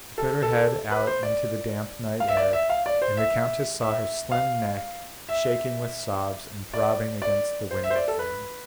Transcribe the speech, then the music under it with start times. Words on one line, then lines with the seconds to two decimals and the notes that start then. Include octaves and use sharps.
She put her head out into the damp night air, and the countess saw her slim neck shaking with sobs and throbbing against the window frame.
0.18 A4
0.42 A4
0.91 B4
1.07 C5
1.23 D5
2.20 F5
2.28 E5
2.37 D5
2.53 E5
2.70 F5
2.86 D5
3.02 C5
3.17 E5
3.82 E5
4.32 F5
5.29 E5
6.74 D5
7.22 D5
7.71 C5
7.84 E5
7.90 C5
7.96 D5
8.08 A4
8.19 B4